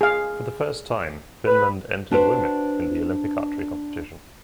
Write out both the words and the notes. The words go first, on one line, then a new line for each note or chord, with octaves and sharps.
For the first time, Finland entered women in the Olympic archery competition.
G#4 F5
B4
D4 F#4 B4 C5